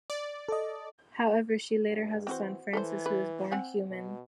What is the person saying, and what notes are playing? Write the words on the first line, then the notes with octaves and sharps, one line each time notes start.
However, she later has a son, Francis, who is born human.
D5
A4 D#5
G2
E3 C4 F#4 C5
E3 A4 A#4 C5
B4
C4 F#5 G#5
B2